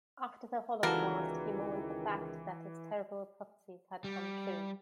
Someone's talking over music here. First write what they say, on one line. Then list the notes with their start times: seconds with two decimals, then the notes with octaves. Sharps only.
After the Holocaust, he mourned the fact that his terrible prophecies had come true.
0.83 C#2 D#3 E3 G3 A#3 F#4 A4 A#4
4.04 G3